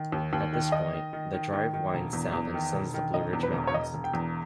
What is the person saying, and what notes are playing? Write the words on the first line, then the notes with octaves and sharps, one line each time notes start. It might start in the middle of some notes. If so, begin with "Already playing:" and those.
At this point, the drive winds south and ascends the Blue Ridge Mountains.
Already playing: D#3
D#2
D#2
D#3
D#3 D#5
D#3
D#3
D#3
D#3
D#3
E1
E2
E2
D#3
E1
D#3
E1 D#5
E2
B4
E1
C#5
E1 D#5
E1
G5
E2